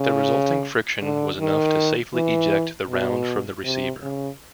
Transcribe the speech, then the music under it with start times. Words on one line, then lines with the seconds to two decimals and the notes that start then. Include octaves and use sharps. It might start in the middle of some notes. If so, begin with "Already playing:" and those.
The resulting friction was enough to safely eject the round from the receiver.
Already playing: C#3
1.02 D3
1.39 D#3
2.14 E3
2.89 B2
3.64 C3
4.03 C#3